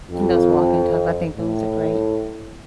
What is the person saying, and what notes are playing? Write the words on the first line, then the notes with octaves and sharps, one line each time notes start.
and those walk-in tubs, I think those are great,
F2
A2